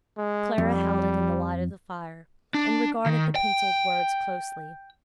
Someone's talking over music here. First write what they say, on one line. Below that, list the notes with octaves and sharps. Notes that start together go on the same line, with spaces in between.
Clara held it in the light of the fire, and regarded the pencilled words closely.
G#3
F2 G3
D4
D#3
G5